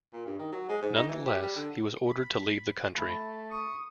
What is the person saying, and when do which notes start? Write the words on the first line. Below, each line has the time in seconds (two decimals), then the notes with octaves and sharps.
Nonetheless he was ordered to leave the country.
0.13 A#2
0.26 G2
0.39 D#3
0.52 F#3
0.69 G#3
0.82 G#2
0.96 D#4
1.09 E3
1.26 G4
1.42 G3
1.56 D3
2.07 B5
2.97 A3 A5 B5
3.51 C#6 D#6